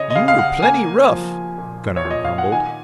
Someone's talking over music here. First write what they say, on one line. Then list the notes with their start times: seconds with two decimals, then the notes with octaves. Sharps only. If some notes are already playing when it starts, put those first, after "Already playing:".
"You were plenty rough," Gunnar grumbled.
Already playing: C#3 C#5 D#5
0.10 D#5
0.15 C#3 F5
0.28 F5
0.38 F#5
0.62 A#3 G#5
1.10 F3
1.58 A#2
1.97 C#5
2.05 A#2
2.11 D#5
2.25 F5
2.38 F#5
2.52 D#3 G#5